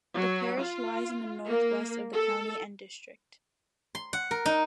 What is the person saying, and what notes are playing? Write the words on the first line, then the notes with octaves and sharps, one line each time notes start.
The parish lies in the north west of the county and district.
F#3
F4
A#3
A4
C6
F#5
A#4
D#4